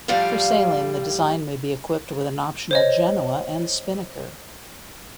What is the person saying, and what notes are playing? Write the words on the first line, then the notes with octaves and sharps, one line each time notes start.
For sailing the design may be equipped with an optional genoa and spinnaker.
A2 F3 G3 D5 F5
C5 C#5 D#5